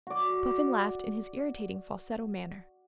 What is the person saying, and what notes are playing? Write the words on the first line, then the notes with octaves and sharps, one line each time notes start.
Puffin laughed in his irritating falsetto manner.
F#4 D5